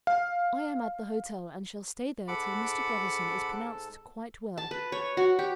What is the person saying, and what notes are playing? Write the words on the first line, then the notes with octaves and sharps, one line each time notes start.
I am at the hotel and shall stay there till Mr. Brotherson is pronounced quite well.
F5
G#2 A4 F#5 A5 B5 D6
A5
B4
C#5
F#4
G4